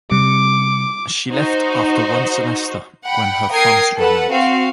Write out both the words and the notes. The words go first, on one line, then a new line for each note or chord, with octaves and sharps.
She left after one semester, when her funds ran out.
C3 G3 D6 C#7
D#4 F#4 C5
F#5 G5 B5
A#4 G5 D#6 G#6 C7
A4 B4 F#5
C4 F#4 F5